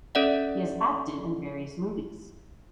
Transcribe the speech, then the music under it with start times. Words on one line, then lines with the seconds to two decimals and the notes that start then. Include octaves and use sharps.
He has acted in various movies.
0.15 C#4 A4 D5 E5 F#5